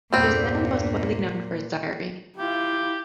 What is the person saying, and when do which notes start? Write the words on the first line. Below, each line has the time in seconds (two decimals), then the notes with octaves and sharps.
He is now most widely known for his diary.
0.13 E2 G2 A#2 G3 C4
2.37 E4 F4 G4